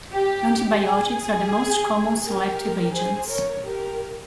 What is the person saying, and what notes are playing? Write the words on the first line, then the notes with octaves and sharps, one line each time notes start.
Antibiotics are the most common selective agents.
G4
G#4
G4 A#4
G#4 C5
A#4 C#5
G4 A#4